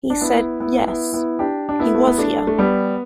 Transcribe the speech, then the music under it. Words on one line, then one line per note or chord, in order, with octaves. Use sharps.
He said, yes, he was here.
D4
B3 E4
B3 E4
B3 E4
B3 E4
D4 G4
D4
B3 E4
A3
B3
A3 D4
A3
G3 B3